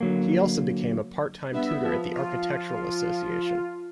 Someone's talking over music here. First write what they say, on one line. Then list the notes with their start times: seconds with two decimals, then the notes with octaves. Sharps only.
He also became a part-time tutor at the Architectural Association.
0.01 D3 F#3 A#3
1.52 G2 B3 E5
1.84 F3
2.14 F4